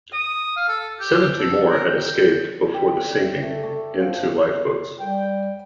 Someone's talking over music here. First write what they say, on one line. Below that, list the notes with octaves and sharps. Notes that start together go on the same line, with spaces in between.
Seventy more had escaped before the sinking in two lifeboats.
D#6
F5
A4
G4
A4
A#4
G5
G4
D5
E5
A3
A3
F3
G3 G5